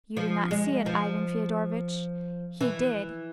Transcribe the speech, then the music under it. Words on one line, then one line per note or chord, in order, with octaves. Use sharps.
You did not see it, Ivan Fyodorovitch, he did.
F3
G#3
F3
E3